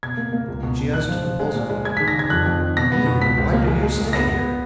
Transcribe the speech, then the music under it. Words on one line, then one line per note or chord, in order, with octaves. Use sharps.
She asked impulsively, "You, why do you stay here?"
B2 G#6
A#3
A#3
C#2
B2
B2
G#2 F#6
F3
F3
G#3
A#2
G#3
G#3 G#6
B6
D#3
A#6
D#3 G#6
F2 F#6
F2
D#3
B2 A#6
B3
B2
C#2 B6
C#2
A#3
G#3
G#3
C#2
B3 A#6
B3